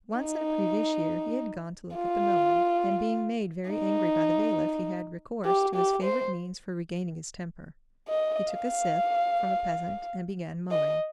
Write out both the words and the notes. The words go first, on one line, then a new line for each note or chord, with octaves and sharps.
Once in a previous year he had gone to look at the mowing, and being made very angry by the bailiff he had recourse to his favorite means for regaining his temper,--he took a scythe from a peasant and began mowing.
D#4
F4
D#4
G4
G4
C5
D#5
F5
D#5